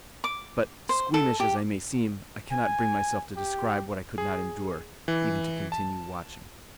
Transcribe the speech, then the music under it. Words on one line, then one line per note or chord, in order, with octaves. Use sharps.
But, squeamish as I may seem, I cannot bring myself to describe what I could not endure even to continue watching.
D6
C5
A4
G4
G#5
G4
G#4
E3
A5